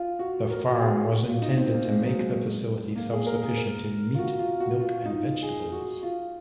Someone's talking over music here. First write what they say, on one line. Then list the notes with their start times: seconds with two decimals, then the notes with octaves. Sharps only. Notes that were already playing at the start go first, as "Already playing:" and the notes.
The farm was intended to make the facility self-sufficient in meat, milk and vegetables.
Already playing: F4
0.19 F#4
0.51 A#4
0.70 F#4
0.81 G#4
1.12 F#4
1.28 F4
1.42 D#4
1.58 C4
1.73 A#3
1.88 G#3
2.04 F#3
2.19 G#3
2.95 A#3
3.12 G#4
3.27 A#4
3.41 G#4
3.57 A#4
4.15 F4
4.18 F#4
4.39 F4
4.60 F#4
4.81 F4
5.05 D#4
5.10 F4
5.42 G#4
5.72 F#4
6.03 F4